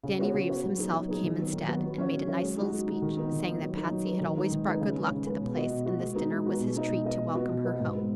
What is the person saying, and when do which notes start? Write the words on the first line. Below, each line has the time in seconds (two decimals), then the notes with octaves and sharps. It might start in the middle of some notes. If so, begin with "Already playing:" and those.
Danny Reeves himself came instead, and made a nice little speech, saying that Patsy had always brought good luck to the place, and this dinner was his treat to welcome her home.
0.03 C#3
0.19 B3 F#4 C#5
0.34 C#3
0.48 B3 F#4 C#5
0.64 F#3
0.79 B3 D#4 G#4
0.93 F#3
1.08 B3 D#4 G#4
1.23 D#3
1.38 F#3 B3
1.53 D#3
1.68 F#3 B3
1.83 F#3
1.98 C#4 F#4 C#5
2.12 F#3
2.28 C#4 F#4 C#5
2.42 G#3
2.57 D#4 F#4
2.72 G#3
2.87 D#4 F#4
3.02 D#3
3.17 B3 D#4
3.32 D#3
3.47 B3 D#4
3.61 F#3
3.76 D#4 B4
3.91 F#3
4.06 D#4 B4
4.21 D#3
4.36 G#3 D#4 G#4 B4
4.52 D#3
4.66 G#3 D#4 G#4 B4
4.81 C#3
4.96 G#3 C#4 B4
5.11 C#3
5.26 G#3 C#4 B4
5.41 B2
5.56 B3 F#4 D#5
5.70 B2
5.86 B3 F#4 D#5
6.00 G#3
6.15 B3 D#4 F#4 B4
6.31 G#3
6.46 B3 D#4 F#4 B4
6.60 B2
6.75 G#3 D#4 B4 D#5
6.89 B2
7.04 G#3 D#4 B4 D#5
7.20 B2
7.34 B3 F#4 B4 D#5
7.49 B2
7.65 B3 F#4 B4 D#5
7.80 G#2
7.95 G#3 B3